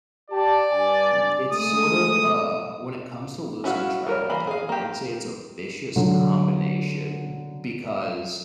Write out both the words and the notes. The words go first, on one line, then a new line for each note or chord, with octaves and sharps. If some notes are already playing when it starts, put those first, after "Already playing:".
d it's sort of, uh when it comes to losing track of time, I would say it's a vicious combination, because
G4 D5 A5
G2 D4 G#5
G#3 A3 D#6
C#4 E4 F#4 A4 F5
G3 A#4 C#5
E3 A#3 F5 B5
G#4 F5
A#3 G4
D3 F#3